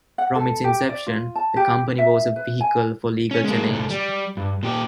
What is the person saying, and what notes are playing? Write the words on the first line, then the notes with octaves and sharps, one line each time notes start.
From its inception, the Company was a vehicle for legal challenge.
F#5
A4
G4
D5
F4
A5
G4
E5
B4
G#5
C#4
G#3 A#3
C2 A3
G3
G2
A#2 G4